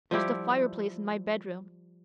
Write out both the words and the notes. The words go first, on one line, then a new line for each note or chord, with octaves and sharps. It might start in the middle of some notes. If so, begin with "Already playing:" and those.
There's the fireplace in my bedroom.
F3 G3 E4 G4